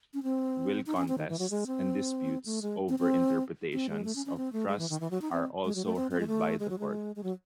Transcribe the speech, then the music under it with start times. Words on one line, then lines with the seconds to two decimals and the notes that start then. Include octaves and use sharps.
Will contests and disputes over interpretations of trusts are also heard by the Court.
0.14 C#4
0.23 C4
0.86 D#4
0.97 C#4
1.08 C4
1.18 D#3
1.29 E3
1.39 F#3
1.50 G#3
1.67 C4
2.46 A3
2.62 G#3
2.89 C4
2.99 C4
3.73 C4
3.89 G#3
4.04 A3
4.16 C#4
4.26 C#4
4.37 C4
4.53 A3
4.68 G#3
4.79 E3
4.90 D#3
5.00 E3
5.11 F#3
5.22 D#4
5.32 C4
5.65 G#3
5.75 F#3
5.85 A3
5.96 C4
6.11 C4
6.20 G#3
6.27 A3
6.60 G#3
6.70 F#3
6.79 G#3
7.16 G#3
7.23 F#3